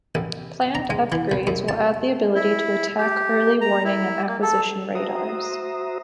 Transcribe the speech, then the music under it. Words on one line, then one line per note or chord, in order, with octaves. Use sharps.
Planned upgrades will add the ability to attack early warning and acquisition radars.
A1
A#5
G#3
E3
C2
F#2
A5
E4
G4
A#5
E4
A#3
A4
F#4 C5 E5 A#5 D#6